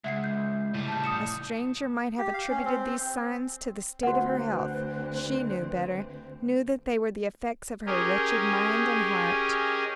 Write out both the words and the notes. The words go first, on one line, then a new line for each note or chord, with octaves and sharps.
A stranger might have attributed these signs to the state of her health; she knew better- -knew that they were the effects of her wretched mind and heart.
C#2 E5 F#5 C7
G6
A2 G3
A5 G6
D#6 C#7 E7
G4
F5
C#4
C4
D2 C4 F#4 B4 C5 F#5
C#4 G4 G#4 A#4 D#5